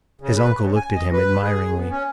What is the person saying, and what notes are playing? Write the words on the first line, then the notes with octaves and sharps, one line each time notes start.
His uncle looked at him admiringly.
C#3
B4
C#3
G#5
D#5
B4
G#4
B3
C#4